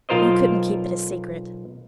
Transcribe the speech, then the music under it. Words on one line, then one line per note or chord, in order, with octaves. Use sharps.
You couldn't keep it a secret.
B1 F4 A#4 C5 D#5